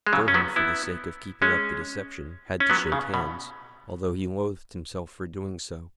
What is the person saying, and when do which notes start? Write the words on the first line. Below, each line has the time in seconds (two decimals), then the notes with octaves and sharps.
Durham, for the sake of keeping up the deception, had to shake hands, although he loathed himself for doing so.
0.07 G#3
0.13 C#3 F#3
0.28 C#4
0.34 F#3 B3
0.56 B3 E4
1.42 G#3 C#4
2.60 C#4
2.70 F#3 B3
2.92 C#3
3.14 B2